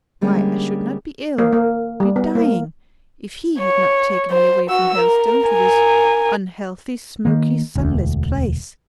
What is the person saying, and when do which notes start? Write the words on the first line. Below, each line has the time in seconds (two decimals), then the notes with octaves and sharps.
Why, I should not be ill--be dying--if he had not taken me away from Helstone, to this unhealthy, smoky, sunless place.'
0.21 D3 G3 G#3 A#3 C#4
1.38 A#3
1.53 A#3
2.00 G3
2.16 B3
2.35 A#3
3.60 C#5
4.31 C5
4.69 F#4 E6
4.98 A#4
5.45 A#4 G#5
7.25 D#3 A#3
7.75 E1 D2